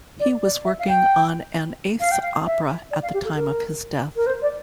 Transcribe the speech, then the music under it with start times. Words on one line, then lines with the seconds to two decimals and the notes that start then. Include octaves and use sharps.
He was working on an eighth opera at the time of his death.
0.20 D5
0.43 D5
0.65 E5
0.79 F5
0.88 G5
2.00 F5
2.11 G5
2.22 F5
2.46 E5
2.91 D5
3.02 F5
3.14 G4
3.24 A4
3.36 A#4
4.16 A#4
4.27 C5
4.42 D5